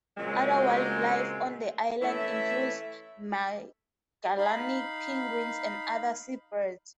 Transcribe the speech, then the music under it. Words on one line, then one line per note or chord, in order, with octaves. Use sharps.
Other wildlife on the island includes Magellanic penguins and other seabirds.
A#2 C#3 F#3 G#3 C4 F#4
E3 A3 C#4 E4 E5
D#4 F5 B5